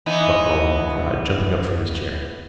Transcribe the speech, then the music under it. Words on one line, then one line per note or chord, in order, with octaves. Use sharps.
Buck Mulligan cried, jumping up from his chair.
E3 B3 D#4